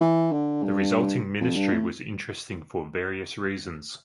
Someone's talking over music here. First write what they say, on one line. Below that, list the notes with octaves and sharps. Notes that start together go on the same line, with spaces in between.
The resulting Ministry was interesting for various reasons.
E3
D3
G2
F2
G2
A2